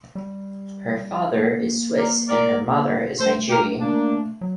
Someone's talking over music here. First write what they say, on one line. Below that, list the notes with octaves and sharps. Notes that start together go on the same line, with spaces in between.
Her father is Swiss and her mother is Nigerian.
G3
A#3
A#4 D5
A#4 D5
A3 A4 C5
G4 A#4
A#3 D4
F#3